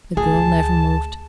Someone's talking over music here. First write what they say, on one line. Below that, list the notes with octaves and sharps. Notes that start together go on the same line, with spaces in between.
The girl never moved.
D2 G#4 A5